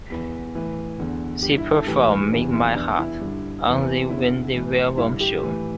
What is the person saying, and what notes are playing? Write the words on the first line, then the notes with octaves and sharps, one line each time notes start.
She performed "Make My Heart" on "The Wendy Williams Show".
E2 E3
A2 E3
E2 D3
G2 D3 G4
E4
A4
A2 E3 G4
E2 C3 E3 D4
E4
E2 E3 D4
E4
G2 D3
E2 E3
E2 D3 E4
A2 E3
G2 D3 E4
G4
A2 E3